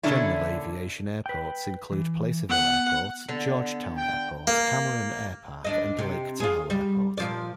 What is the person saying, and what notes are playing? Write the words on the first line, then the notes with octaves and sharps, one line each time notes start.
General aviation airports include Placerville Airport, Georgetown Airport, Cameron Airpark and Lake Tahoe Airport.
A#2 D3 C#4 D4 E4
B4 G5
E3
B3 F#5
D3 B3
G5
A#3
D#2 D4 D#5
C3
F4 G#4
G3
A#2 F3 D5